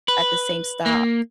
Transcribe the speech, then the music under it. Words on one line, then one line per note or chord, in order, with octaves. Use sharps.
at the same stop,
B4
A#3